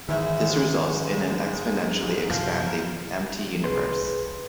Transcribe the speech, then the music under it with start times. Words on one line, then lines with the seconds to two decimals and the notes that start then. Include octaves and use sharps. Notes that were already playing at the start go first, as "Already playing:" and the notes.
This results in an exponentially expanding, empty universe.
0.09 G#2 D#3 E3 C#4 E4 E5
2.30 F#2 C3 F3
2.66 A#4
3.64 C2 G#4 B4 C6